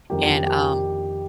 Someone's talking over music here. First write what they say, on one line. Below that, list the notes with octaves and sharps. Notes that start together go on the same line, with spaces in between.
and, um,
F2 D#3 A#3 D4 G4
G4